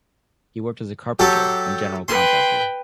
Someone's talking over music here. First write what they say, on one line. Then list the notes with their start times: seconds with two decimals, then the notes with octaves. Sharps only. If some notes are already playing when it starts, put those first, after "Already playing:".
He worked as a carpenter and general contractor.
1.19 F#3 G4 A4
2.08 B4 G5 C6